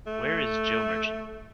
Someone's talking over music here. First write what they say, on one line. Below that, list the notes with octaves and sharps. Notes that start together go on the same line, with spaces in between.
Where Is Joe Merchant?
A3